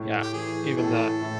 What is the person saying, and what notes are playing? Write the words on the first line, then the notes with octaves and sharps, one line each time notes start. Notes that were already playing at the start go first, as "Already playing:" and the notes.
yeah, even the,
Already playing: A2
G4
E3 G#4
A2 A4
A2